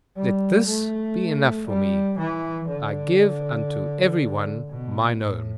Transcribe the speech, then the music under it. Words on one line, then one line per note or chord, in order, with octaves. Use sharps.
Let this be enough for me: I give unto every one mine own.
G3
A3
G3
E3
D3
B2
A2